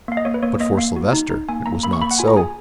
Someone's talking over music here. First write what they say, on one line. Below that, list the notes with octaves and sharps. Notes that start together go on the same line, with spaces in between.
But for Silvester it was not so.
A#3 F5
D#5
A#3 C#5
B4
A#3 C#5
A#3 D#5
A#3 F5
F#4
D#4
D#4
A#3 G#5
A#3 A#5
A#3 B5
C#6
A#3 B5
F#5
F4 G#5
A#5
G#4 G#5